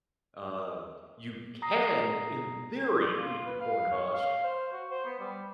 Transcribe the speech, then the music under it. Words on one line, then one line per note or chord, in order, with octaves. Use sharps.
uh, you can, in theory, eat the corn husk,
A#5 D#6 A#6 C7
D5
F4
B4
F5
C#5
F5
C5
F#4
C5
B3
G3